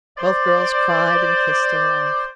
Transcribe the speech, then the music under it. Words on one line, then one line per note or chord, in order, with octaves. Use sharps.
Both girls cried and kissed and laughed.
C5 D5